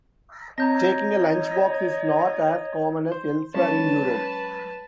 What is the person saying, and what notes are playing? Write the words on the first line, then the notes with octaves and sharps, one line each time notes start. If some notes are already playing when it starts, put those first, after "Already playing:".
Taking a lunchbox is not as common as elsewhere in Europe.
C4 C#5 D#5 A#5 G6 A#6
C5
F#3 G#3 C#4 B4 C#5 A5